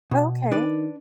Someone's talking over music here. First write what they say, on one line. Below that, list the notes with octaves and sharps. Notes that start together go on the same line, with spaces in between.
Oh, okay
B2
D#3 D4 B4 D5